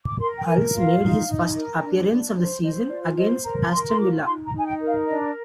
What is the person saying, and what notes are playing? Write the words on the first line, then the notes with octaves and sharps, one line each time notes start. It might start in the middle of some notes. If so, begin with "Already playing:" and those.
Hulse made his first appearance of the season, against Aston Villa.
D6
A#4 C6
G5
A#4 G#5
F4 F5
D#4
D#4
A#4
D4
D4
C5
C5 D#5
F4 D5
C5 D#5
A#4 A#5
A#5
A#4 C6
C6
F4 D6
D#4 C6
A#5
D#4
G#5
G5
A#4
F5
D4 D#5